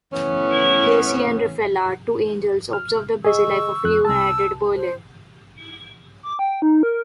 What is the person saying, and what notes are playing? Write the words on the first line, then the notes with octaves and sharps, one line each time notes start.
Cassiel and Raphaella, two angels, observe the busy life of reunited Berlin.
E3 A3 B3 C#4
F6
G#4 D#5 C#6 E6
F2 F#6
C2 A5 E6
C5
D6
G5
D#4
A#4